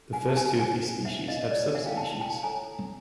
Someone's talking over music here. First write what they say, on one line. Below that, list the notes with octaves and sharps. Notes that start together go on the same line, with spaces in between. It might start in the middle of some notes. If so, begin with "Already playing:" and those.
The first two of these species have subspecies.
Already playing: A4
F#5 G#5
A5
F#5 G#5
D#4 G#4 C5 F#5 G#5
E5 F#5
D#5 F5
E4 G#4 C#5 D5
E5 F#5
F5 G5
G5 A5
G5 A5
E4 A4 C#5 G#5 A#5